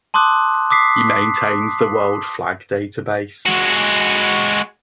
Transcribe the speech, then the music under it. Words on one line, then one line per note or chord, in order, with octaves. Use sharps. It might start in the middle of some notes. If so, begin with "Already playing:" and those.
He maintains the World Flag Database.
A5 C6 D6 D#6 F#6
D6 D#6 B6 C7
G#3 F#4